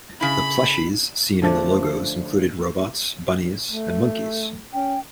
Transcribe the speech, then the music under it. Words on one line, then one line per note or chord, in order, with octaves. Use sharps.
The plushies seen in the logos included robots, bunnies, and monkeys.
C#3 E4 B5
D3 F3 A3 D4
A3
C#4 G5